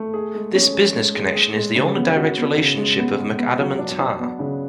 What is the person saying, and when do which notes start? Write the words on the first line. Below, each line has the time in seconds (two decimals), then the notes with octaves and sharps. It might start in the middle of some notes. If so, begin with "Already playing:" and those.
This business connection is the only direct relationship of McAdam and tar.
Already playing: A3
0.14 G#4
0.35 G#3
0.55 C#4
0.74 G#3
0.95 G#3
1.15 G#3
1.35 G#4
1.56 G#3
1.75 C#3
1.96 B3
2.16 F#4
2.37 B3
2.57 C#3
2.78 G#3
2.98 B3
3.18 G#3
3.38 B3
3.59 F#3
3.78 D4
3.99 D4
4.19 B3
4.39 C#3